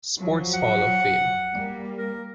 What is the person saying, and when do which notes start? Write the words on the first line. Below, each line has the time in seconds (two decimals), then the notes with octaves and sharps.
Sports Hall of Fame.
0.19 F3 F#3
0.54 F#5
1.53 G3 A#3
1.98 A#4